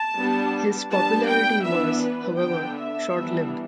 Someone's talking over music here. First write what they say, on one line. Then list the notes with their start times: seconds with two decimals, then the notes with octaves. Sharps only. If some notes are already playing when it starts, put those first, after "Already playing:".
His popularity was, however, short-lived.
Already playing: A5
0.16 G3 B3 D4
0.90 G3 B3 D4 A5
1.27 G5
1.64 E3 B3 D4 E5
2.02 B4
2.38 D3 B3 D4 G5
2.76 E5
3.12 E3 G3 B3 D4